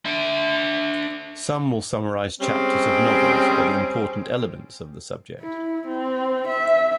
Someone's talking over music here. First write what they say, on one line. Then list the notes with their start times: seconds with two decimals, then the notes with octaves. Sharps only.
Some will summarize chapters of novels or the important elements of the subject.
0.05 D4 E5
2.40 G3 G#3 C4 C#4
5.40 E4
5.87 C4
6.47 E5